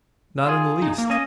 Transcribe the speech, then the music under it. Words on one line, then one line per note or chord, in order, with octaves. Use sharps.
"Not in the least."
F4 G#4
D#4
A#3
C#4 D#5